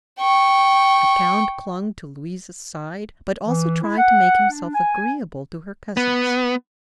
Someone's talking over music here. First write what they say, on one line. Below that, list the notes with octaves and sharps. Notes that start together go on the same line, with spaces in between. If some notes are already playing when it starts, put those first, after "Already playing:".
The Count clung to Louise's side, but also tried to make himself agreeable to her cousins.
G5 C#6
E3
E4
F#5
D4
G#5
B3